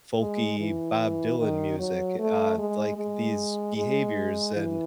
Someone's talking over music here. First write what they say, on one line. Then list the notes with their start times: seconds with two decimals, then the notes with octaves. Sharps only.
folky Bob Dylan music, uh, like, these behaviors, and
0.21 G#3
0.60 E3
1.39 D#3
1.79 F#3
2.19 A3
2.58 G#3
2.97 G#3
3.77 G#3
4.56 E3